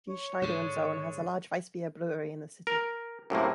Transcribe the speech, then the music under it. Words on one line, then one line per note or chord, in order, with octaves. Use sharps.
G. Schneider and Sohn has a large weissbier brewery in the city.
C#5
G#2 D3
A#4
F#2 A2 C3 A#3